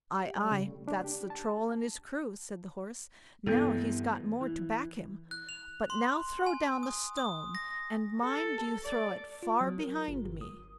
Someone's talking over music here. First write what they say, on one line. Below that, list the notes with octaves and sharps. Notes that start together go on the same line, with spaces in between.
'Aye, aye, that's the Troll and his crew', said the Horse; 'now he's got more to back him; but now throw down the stone, and mind you throw it far behind me.'
G4
G3
C#3
A3
D4
G4
A5
G2 E3 B3 A4
E3
F#6
F7
C6
G#5
D#6
D#6
A#6
A4
D5
F4
F#3
A#4
G1
G1
D#6